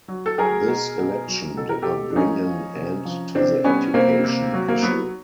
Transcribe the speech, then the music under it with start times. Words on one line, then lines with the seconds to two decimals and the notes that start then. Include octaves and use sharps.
This election did not bring an end to the education issue.
0.08 F#3
0.26 A4
0.38 F#3 G#4 A#4
0.68 B2
0.97 B2
1.28 F#3
1.57 B2 A4
1.69 A#4
1.82 B2 G4 A4
2.10 D4
2.16 F3 C#4 D#4
2.46 F3
2.75 C3
3.05 F3
3.35 C3 C4 D4
3.64 G3 B3 C#4
3.94 C3 A#3 C4
4.24 C3
4.53 F#3
4.68 A#3
4.83 F#3 B3